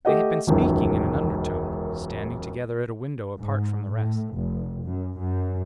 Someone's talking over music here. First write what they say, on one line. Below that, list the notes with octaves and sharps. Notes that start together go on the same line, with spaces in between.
They had been speaking in an undertone, standing together at a window, apart from the rest.
A3 G4 D#5 F#5
E1 C#2 F#2 D#3
G#2
A2
F1
F#2
F#2